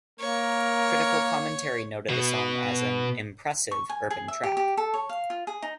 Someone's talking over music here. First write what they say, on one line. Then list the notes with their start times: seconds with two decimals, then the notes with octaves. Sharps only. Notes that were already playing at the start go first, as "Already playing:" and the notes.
Critical commentary noted the song as an "impressive" urban track.
0.20 A#3 A#4 C#5
2.09 B2 B3
3.71 C#6
3.89 G#5
4.10 G#4
4.28 E5
4.43 G4
4.57 G4
4.77 A4
4.94 C#5
5.09 F5
5.30 F4
5.47 G#4
5.62 D#4